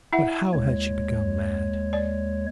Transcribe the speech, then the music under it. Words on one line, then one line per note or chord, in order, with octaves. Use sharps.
But how had she become mad?
E4 E5 F#5
D#2 G#3 C#5
D5